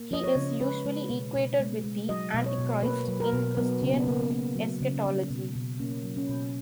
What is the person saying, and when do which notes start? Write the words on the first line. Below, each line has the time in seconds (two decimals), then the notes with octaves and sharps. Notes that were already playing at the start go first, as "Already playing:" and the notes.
He is usually equated with the Antichrist in Christian eschatology.
Already playing: A#3
0.11 F3 D#5
0.24 C#5
0.36 C#3
0.60 G#3 B4
0.85 G#3
1.10 B2
1.35 B2
1.60 G#3
1.84 G#3
2.09 F#3 D#5
2.34 B2
2.46 C#5
2.58 B2
2.83 A#3 B4
3.08 F#3
3.20 A#4
3.33 B2
3.57 F#3 B3
3.82 C#3
3.94 B3
4.06 C#3 A#3
4.21 B3
4.31 A#3
4.56 F#3
4.80 C#3
5.06 F#3
5.30 B2
5.55 B2
5.79 A#3 C#4
6.04 F#3
6.17 C#4
6.29 B2